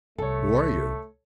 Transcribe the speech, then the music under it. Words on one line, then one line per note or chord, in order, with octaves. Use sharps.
"Who are you?"
C2 A3 A4 C#5